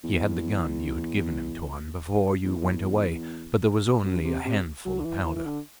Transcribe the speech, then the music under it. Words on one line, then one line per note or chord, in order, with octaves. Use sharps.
He had the gun you had given him, Tuan, before you went away, but there was only a handful of powder.
E2
E2
F#2
C3
C3
F#3
D3
E3
E3
E3
D3